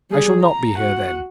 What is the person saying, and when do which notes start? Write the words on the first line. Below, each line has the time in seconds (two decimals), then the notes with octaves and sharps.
'I shall not be here then.'
0.10 G3 G#4
0.42 A#5
0.76 F#4 F#5